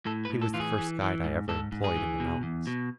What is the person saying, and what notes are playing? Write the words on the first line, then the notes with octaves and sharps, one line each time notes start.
He was the first guide I ever employed in the mountains.
A2 A4
B4
A2
A4
E3 F4
G#4
E3
E3
G#2
G#2 A4
G#2
G#4
E3
B2
E2
B2